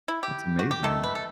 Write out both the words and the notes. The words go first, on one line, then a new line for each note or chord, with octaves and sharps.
That's amazing.
E4
G4
F#4
G4
D#3 A3 A4
B4
A4